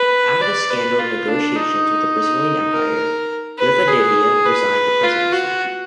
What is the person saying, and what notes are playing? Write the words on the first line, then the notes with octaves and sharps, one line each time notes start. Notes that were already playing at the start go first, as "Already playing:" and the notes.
After the scandal of negotiations with the Brazilian Empire, Rivadavia resigned the presidency.
Already playing: B4
D5
B4
F4
D4
D#4
A#4
B4
G#4
B4
F4
F#4